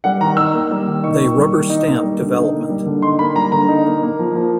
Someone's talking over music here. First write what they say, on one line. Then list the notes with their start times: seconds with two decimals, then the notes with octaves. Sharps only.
They rubber-stamp development.
0.04 G3 F#5
0.20 D#3 A#5
0.37 D#4 E6
0.53 A#3
0.71 G3
0.88 D#3
1.03 D#4 C#6
1.20 A#3
1.37 G3
1.54 D#3
1.69 D#4
1.86 A#3
2.02 G3
2.20 D3
2.36 D#4
2.53 A#3
2.69 G3
2.86 D3
3.02 D#4 C6
3.19 A#3 B5
3.35 G3 A#5
3.52 D3 A#5
3.68 D#4
3.86 A#3
4.03 A#3
4.19 F3
4.36 F3